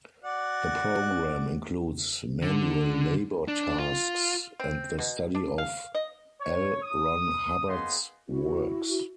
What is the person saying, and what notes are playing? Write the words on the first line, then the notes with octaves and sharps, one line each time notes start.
The program includes manual labor tasks and the study of L. Ron Hubbard's works.
F#4 D5 F#5
D3
D4
F4
C4
B2
D4
F5
D#5
C#5
D#6
A#3 B3 D#4 G#4 C6
E4 F#4